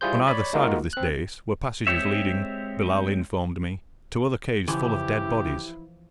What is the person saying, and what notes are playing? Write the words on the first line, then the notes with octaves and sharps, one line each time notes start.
On either side of this dais were passages leading, Billali informed me, to other caves full of dead bodies.
G3 E4 F4 G#4 C5 G6
C#5 D5 B5
G#3 A#3 D#4 F4 F#4 A#4
C4 F#6
G#3 C4 G4 C#5 E5
C#3 E3 F3 E4 G4